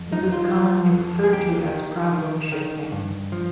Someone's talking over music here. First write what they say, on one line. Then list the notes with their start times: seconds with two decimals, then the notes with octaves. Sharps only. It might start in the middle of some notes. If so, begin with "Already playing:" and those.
This is commonly referred to as problem shifting.
Already playing: F2
0.12 F3 D#4
0.32 F4
0.52 F3
0.92 F2
1.24 G#4
1.33 D#2 G4
1.72 D#3
2.12 D#3
2.52 D#3
2.92 G2
3.32 F3